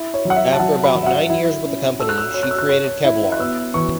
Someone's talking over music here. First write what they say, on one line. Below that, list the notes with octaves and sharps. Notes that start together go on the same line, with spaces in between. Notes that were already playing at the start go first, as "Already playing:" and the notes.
After about nine years with the company, she created Kevlar.
Already playing: E4
C#5
F#3
F#5
E5
A5
F#3 F#5
B5
F#3
E5
F#5
E4
C#4
A4 E6
F#6
E6
C#5
F#6
E6
F#6
C#5
E4
F#6
B3 E6
E3 C#6